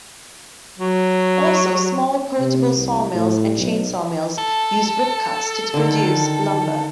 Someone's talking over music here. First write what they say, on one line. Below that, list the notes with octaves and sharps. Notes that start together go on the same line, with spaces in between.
Also, smaller portable sawmills and chainsaw mills use rip-cuts to produce lumber.
F#3
C3
C2
A2
B1
A4
D3 D#3